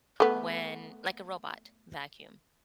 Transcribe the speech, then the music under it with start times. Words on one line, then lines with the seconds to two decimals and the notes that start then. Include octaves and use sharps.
when, like, a robot vacuum.
0.20 A3 B3